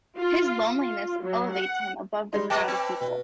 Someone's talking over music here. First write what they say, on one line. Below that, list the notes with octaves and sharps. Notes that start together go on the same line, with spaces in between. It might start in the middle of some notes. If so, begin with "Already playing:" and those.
His loneliness elevates him above the crowd of people.
F4
F4
F#3
F#5
G3 G#3 D#4 C6
G3 B4 D#5 G5 A5 D6
C4
B2